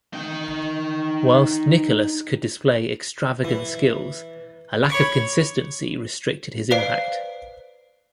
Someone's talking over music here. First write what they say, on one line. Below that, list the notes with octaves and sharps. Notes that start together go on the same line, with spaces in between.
Whilst Nicholas could display extravagant skills, a lack of consistency restricted his impact.
D#4 G5
E3
C#5 B5 C#6 D6
B4 C5 D5 F5 C7 D7